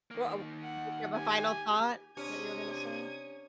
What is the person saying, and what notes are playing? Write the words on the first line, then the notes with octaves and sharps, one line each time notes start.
Well, uh did you have a final thought that you were gonna say?
D#3 A#3
F#5
G4 G#5
C3 C#4 D4 D#6 G#6